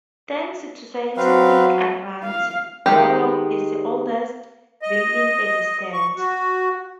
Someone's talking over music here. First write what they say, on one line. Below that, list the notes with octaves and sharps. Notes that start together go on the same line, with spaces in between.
Thanks to scientific advances, Morlock is the oldest being in existence.
F#3 C4 B4 F5
F5
D#3 G#3 G4
D#5
C#6
F#4